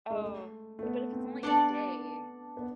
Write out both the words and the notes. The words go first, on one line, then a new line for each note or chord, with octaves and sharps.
oh, but if it's only a day.
G#3
A3
A3
B3
C4
B3 D4 A4 D5
B3